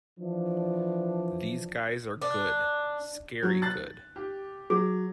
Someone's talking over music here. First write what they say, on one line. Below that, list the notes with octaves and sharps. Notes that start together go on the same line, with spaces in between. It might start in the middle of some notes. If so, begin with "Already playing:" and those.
These guys are good, scary good!
E3 F3 D4
D4
F#3
F#6 A6
G4
F#3 G#4